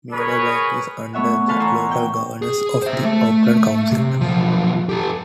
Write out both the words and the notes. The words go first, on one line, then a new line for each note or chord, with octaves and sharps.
Meadowbank is under the local governance of the Auckland Council.
G#4 A#4 B4 C#5
A3 B3 C#5 E5 F#5
A4 B4 C5 F5 F#5 G#5
E3 C5 C#5 A#5 E6
C#5 G5
G#4
C5 E5
A3
C3
B1 F3
G4 A4